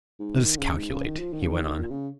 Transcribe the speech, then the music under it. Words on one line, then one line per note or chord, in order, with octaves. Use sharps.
"Let us calculate," he went on.
G#2
D#3
C#3
G#2
C#3
D#3
F3
D#3
C#3
D#3
A#2
C#3